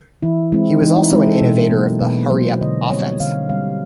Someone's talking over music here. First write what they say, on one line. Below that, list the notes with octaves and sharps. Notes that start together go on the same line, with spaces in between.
He was also an innovator of the hurry up offense.
E3 E4
G#3 C4 E4
E3 D#4
E4
G#3 C4 E4
A4
B2
F#3 A#3
B2 B4
F#3 A#3 C5
D3 D#5
G3 C4 C#5
D3 F5
G3 C4 F5